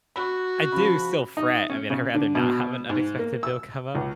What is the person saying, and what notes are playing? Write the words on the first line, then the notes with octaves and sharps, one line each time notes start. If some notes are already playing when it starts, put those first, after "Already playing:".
I do still fret, I mean, I'd rather not have an unexpected bill come up,
F#4 B5
C#3 F3 B5
D#4
C#4
C#3
D3
B2
G#2
A#3
E6
C#2